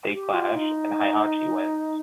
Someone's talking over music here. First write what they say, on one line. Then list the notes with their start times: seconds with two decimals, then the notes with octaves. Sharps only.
They clash, and Heihachi wins.
0.13 G4
0.34 F4
0.55 D#4